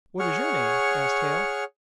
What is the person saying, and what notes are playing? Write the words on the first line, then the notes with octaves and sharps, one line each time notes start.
"What is your name?" asked Hale.
G#4 C#5 F#5 C#6 F6